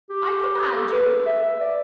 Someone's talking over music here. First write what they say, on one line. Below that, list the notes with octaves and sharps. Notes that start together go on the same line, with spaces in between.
"I command you!"
G4
A4
B4
B4
E5
E5
D5